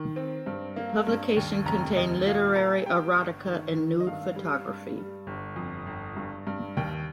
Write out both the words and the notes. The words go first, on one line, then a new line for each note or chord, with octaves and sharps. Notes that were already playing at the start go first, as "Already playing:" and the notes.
The publication contained literary erotica and nude photography.
Already playing: D#3
C4
G2
A#3
G2
D#2
F1 A#5
D#2 D#5
A#2 F5
A#3 A#5
G3 G5
G1
D#3
D#3
D#5
G2 F5
G3
G2
G3
G1
F2
G1
G2
G2
D#2 G5